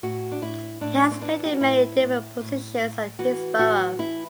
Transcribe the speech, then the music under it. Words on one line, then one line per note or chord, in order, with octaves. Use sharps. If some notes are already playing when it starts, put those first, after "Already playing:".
He has played in many different positions at Hillsborough.
A2 F#4
D4
A2 E4
A2 D4
C4
E3 D4
G4
F#4
A2 E4
A2
A2
A2
E3 F#4
A2 F#4
E3 E4